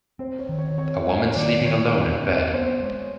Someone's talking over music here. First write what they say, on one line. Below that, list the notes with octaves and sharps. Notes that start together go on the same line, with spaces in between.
A woman sleeping alone in a bed.
C4 C5
C#5
D#3
C#5
C4 C#5
G3 C#5
D#3 D5
D#3 C#5
G3
C4
B3 C5
G#3 C#5